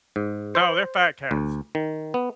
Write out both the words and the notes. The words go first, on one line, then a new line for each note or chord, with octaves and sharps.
No, they're fat cats.
G#2
C5
D2
D#3
B3